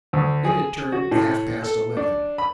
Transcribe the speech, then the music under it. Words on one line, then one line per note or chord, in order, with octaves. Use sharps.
It had turned half-past eleven.
D2
G#4
F#4
A2
A4
D4
B5